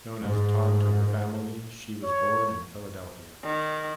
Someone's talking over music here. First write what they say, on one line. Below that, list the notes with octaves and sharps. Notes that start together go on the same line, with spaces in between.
Known as "Tod" to her family, she was born in Philadelphia.
G#2
C#5
D#3